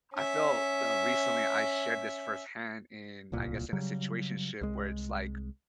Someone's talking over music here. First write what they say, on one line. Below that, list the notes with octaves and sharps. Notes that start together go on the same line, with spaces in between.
I felt, uh, recently, I shared this firsthand in, I guess, in a situationship where it's like
C#4 E5
D1 C2 A#2
C#3 F#3 G3
C2 G#3